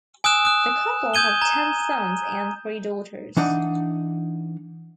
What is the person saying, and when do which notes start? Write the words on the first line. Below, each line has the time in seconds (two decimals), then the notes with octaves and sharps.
The couple have ten sons and three daughters.
0.24 G#5 D#6 E6 F#6 E7
0.45 D#6 F#6
1.14 D#6 G6 G#6 D#7 G7
1.42 A#5 G#6
3.37 E3 D4 D#4 F#5